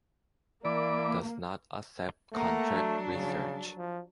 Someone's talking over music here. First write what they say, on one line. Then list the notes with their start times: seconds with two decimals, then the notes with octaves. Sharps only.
Does not accept contract research.
0.65 E3 A#3 D5 B5 D6
2.33 A3 A#3 F#5 A#5
2.73 F#3 D4
3.13 C#3
3.77 F3